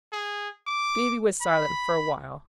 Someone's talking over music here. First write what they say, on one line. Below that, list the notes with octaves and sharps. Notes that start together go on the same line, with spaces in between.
Davie was silent for a while.
G#4
D6
B5